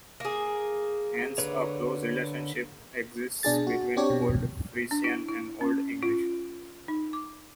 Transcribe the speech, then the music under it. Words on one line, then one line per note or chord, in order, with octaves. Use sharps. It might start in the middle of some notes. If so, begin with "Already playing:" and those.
Hence, a close relationship exists between Old Frisian and Old English.
A#3 G#4
D3 B4 C#5
B2 D4 G#4 A6
F#4
C4 D4 G4 C#5
B2
D4
E4
E4
C#4
F4
D#4
D6